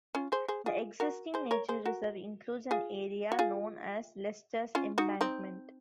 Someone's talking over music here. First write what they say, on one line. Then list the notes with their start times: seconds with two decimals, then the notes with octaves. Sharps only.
The existing nature reserve includes an area known as 'Lester's Embankment'.
0.15 C#4 F4
0.32 G#4 C5
0.48 G#4 C5
0.66 F4 G#4
1.00 F#4 A#4
1.34 G#4 C5
1.51 A#4 C#5
1.69 G#4 C5
1.86 F#4 A#4
2.71 F4 G#4
3.32 F#4
3.39 F4 G#4
4.75 C#4 F4
4.98 D#4 F#4
5.21 C4 D#4